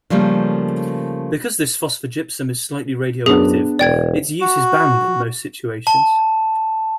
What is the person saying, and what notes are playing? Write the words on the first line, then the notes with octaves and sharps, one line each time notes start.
Because this phosphogypsum is slightly radioactive, its use is banned in most situations.
C#3 F3 G3 A3 A#3
F#2 B3 D4 G#4
E1 D5 G5 G#6
F#4
A5